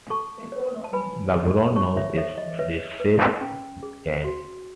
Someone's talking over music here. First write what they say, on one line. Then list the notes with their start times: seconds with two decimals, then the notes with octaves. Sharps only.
The brown nose is a recessive gene.
0.10 A4 A5 C#6
0.52 C#5
0.84 A5
0.93 B4 G#5 B5
1.35 G#4
1.76 C#5 A5 C#6
1.97 C#5 E5
2.17 A4 C#5 E5
2.38 D#5
2.59 B4 C#5 E5
3.00 B4
3.41 C#4
3.83 G#4
4.24 F#4